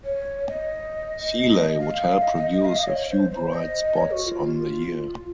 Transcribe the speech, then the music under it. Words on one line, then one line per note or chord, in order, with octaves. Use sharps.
Feeley would help produce a few bright spots on the year.
C#5
D#5
F5
D#5
D#5
D#5
F5
D#5
C#5
C#5
C5
C5
D#5
C#5
F#4
F4